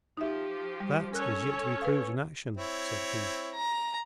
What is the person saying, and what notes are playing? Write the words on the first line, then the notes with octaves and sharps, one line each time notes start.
"That is yet to be proved in action," said he.
F3 D#4 G4 E5
G3
C#4 A4 A#4 C#5 F#6
B4 F5
C4 E4 C#5
A#5